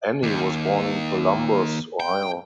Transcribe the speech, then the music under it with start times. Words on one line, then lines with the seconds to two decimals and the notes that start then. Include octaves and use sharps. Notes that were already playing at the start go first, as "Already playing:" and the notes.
Annie was born in Columbus, Ohio.
0.23 D#2
2.00 G5